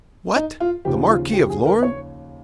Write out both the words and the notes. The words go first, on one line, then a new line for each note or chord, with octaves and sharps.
'What! the Marquis of Lorne?
D#4
F4
D#2 C#3 F3 G4
F4
G4
G4
G#4
A#4
C#5